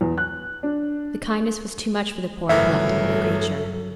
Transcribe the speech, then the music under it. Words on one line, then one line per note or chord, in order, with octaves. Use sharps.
The kindness was too much for the poor epileptic creature.
E2
F#6
D4
G1 A2 C#3 E3 F#3 A4 A#4 E5